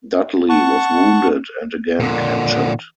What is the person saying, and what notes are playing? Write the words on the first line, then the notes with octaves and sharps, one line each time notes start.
Dudley was wounded and again captured.
F#5 A5 C#6
A#2 D3